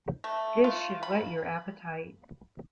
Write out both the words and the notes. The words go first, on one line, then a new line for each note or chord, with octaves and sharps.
This should whet your appetite.
A3
F4
B5